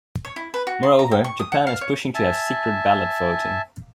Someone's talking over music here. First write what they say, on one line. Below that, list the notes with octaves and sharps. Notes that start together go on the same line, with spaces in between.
Moreover, Japan is pushing to have secret ballot voting.
C#5
E4
B4
F#4
C6
A#5
G5
C#6
D#6
F#5
F5
C#5
E5 G#5 A5